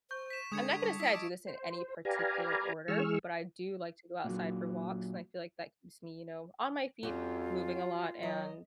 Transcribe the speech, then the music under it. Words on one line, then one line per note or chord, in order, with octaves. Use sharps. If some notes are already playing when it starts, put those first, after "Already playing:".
I'm not gonna say I do this in any particular order, but I do like to go outside for walks, and I feel like that keeps me, you know, on my feet moving a lot, and
C5 C#6 G6
B6 E7
D3 G#3 D#6 G#6 C#7
G3 A5 D6
E4 D#5 B6 D7
A5 D6 E6
C5
G4 B4 D5 F5 G#5 A#5
E3 G#3 G#4 C#6 E6 F6
A#2 F#3
F2 F#3 C#4 F4 G4
F#3 D#5